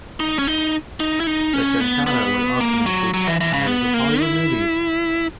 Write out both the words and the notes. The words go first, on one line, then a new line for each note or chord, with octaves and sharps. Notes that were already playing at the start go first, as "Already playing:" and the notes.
The "chanchada" would often include satires of Hollywood movies.
D#4
C#4
D#4
D#4
E4
D#4
C#4
B3
B3
A#3
F#3
F#3
E3
E3
C#3
B3
A#3
E4